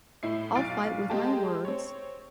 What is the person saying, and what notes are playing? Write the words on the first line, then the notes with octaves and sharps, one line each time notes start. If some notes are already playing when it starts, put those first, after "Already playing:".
I'll fight with my words,
A2 E4 C7
B1 F5 A6 D7
G#3 G4 G#4 A5
C4 C#5